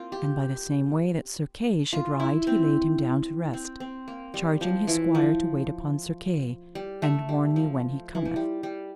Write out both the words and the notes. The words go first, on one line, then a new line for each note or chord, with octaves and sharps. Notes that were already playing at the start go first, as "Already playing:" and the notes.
And by the same way that Sir Kay should ride he laid him down to rest, charging his squire to wait upon Sir Kay; And warn me when he cometh.
Already playing: A#3 C4 F4
G4
F4
E4
C4
C4
C4
A#3
G3
F3
E3
F3
G3
A3
G3
F3
E3
F3
G3
G3